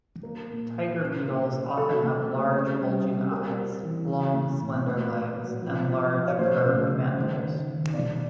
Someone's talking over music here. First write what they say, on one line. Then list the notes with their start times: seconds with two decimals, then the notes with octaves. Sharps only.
Tiger beetles often have large bulging eyes, long, slender legs and large curved mandibles.
0.23 A#3 A#4
0.50 A#2
0.75 A#3
1.00 C#4
1.26 A#3
1.51 A#3
1.77 F#3 A4
2.04 A3
2.29 C4
2.55 C#4
2.81 G3
3.06 G3
3.31 C4 A#4
3.56 C4
3.83 E3
4.08 F#3
4.34 A3
4.60 A2
4.86 A#2 B4
5.12 A#2
5.36 F#3
5.62 F3
5.87 F3
6.14 F3
6.28 C#5
6.39 A3 C5
6.65 C#3
6.90 C#3
7.16 D#3
7.41 D#3
7.68 D#3
7.93 B2 D5